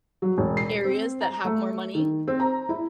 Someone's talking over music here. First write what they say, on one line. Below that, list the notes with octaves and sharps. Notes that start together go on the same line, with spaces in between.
areas that have more money.
F#3
E1
C7
C4
A#5
A3
D#3
C4
A#5
E4